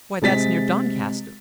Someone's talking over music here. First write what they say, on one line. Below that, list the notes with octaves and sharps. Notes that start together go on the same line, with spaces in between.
"Why, that's near Doncaster."
C3 G#3 A6 B6